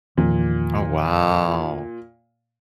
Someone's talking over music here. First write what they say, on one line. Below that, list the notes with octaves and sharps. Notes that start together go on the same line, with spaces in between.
Oh wow.
E2 A#2 D#3 F3